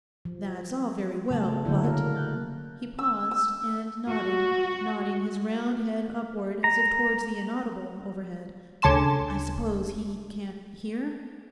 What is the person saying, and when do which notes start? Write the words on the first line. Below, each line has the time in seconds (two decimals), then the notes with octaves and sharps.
That's all very well, but'--he paused, and nodded, nodding his round head upward as if towards the inaudible overhead, 'I suppose he can't HEAR?'
0.25 F3
1.31 C#3 F#3 A3 A5
1.65 D3 F#3 A#3 E4 A4 G6
1.83 A#3 A#4
2.15 F#6 G6 A6
2.99 E6
3.31 E6
4.09 F#4
6.64 A#5
8.82 D2 C#3 A5 C6 E7